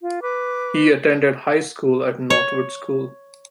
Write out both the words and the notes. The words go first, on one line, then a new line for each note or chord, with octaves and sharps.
He attended high school at Northwood School.
F4
B4 D6
C#5